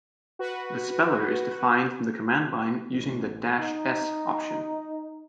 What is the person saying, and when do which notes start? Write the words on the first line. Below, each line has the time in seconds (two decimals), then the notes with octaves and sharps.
The speller is defined from the command line using the -s option.
0.39 F#4 B4
2.90 A1
3.59 D#4